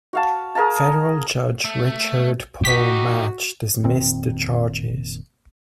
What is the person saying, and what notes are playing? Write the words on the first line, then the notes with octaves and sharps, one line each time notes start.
Federal judge Richard Paul Matsch dismissed the charges.
F#4 F5 A5
G#4 A#4 F5 A5
A3
D#4 F#4 G4 B6
F1 A#2 D#3 C4